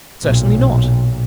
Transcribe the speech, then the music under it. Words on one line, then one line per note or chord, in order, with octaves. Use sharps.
"Certainly not!"
B1 A#2